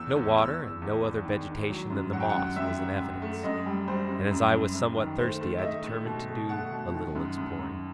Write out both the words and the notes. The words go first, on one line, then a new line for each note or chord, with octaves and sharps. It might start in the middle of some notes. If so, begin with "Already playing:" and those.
No water, and no other vegetation than the moss was in evidence, and as I was somewhat thirsty I determined to do a little exploring.
Already playing: E2 E6
E2
E2 E6
E2
E2
E2
D#3
D#3
F#3
F#2
F#3 F#5
G5
F#2 F#5
F#2 E5
F#2
F#2
A3
F#2 D#5
G3
G3 C5
F#2
F#2
F#2
F#2
D#3
A3 C5
A3
E5
A3 D#5
A3
B2
A3
A3 F#5
B2
D#3
F#2
F#2
F#2